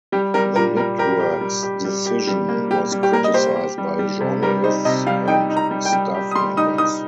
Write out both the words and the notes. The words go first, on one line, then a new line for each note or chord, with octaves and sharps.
The network's decision was criticized by journalists and staff members.
G3 G4
G3 A#4
A#2 A#4
G3 A#4
G4 A#4
G4
G3
G4
G3
G4
G3
A#3
G3 G4
G3
G4
A#3 A#4
D#5
G4 C5
G4
G3
G3
C3
G3 A#4
D#4 C5
C3 D#5
G3 F5
D#4 G5
D#4
A#5
G3
G5
G3
G4
D#6
G3 C6
D#4 D#6
D#4 D#6